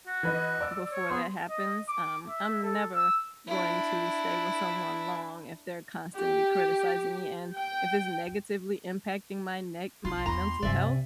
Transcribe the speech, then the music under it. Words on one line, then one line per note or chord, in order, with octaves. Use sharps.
before that happens, um, I'm never going to stay with someone long if they're constantly criticizing me and if it's negatively impacting my ne my mental health,
F#4
E3 B4 D#5
D5 E6
C#5
B3 G#4 C6
D#5
D6
E5
A4
E6
D4 E4
G4
G5
B1 F4 C6
E2 G2 F4 A#5
C2 G2 C3 D5 E5 G#5